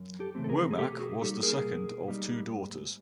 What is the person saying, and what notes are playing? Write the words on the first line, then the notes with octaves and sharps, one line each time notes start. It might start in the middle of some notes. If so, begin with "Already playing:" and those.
Womack was the second of two daughters.
Already playing: F#2
G4 A4
C#3 E3 A3 C4
A4
G#4 A#4
G#4
B2 G4 A4
F#4 G#4
G3 A#3 D#4 G4 A4
G#4 A#4
B2
G3 A#3 D#4
G#2